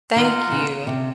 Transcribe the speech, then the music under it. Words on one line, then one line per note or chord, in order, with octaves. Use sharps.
Thank you.
D#3 F4 A#4 D#5 F#5
C#3
C3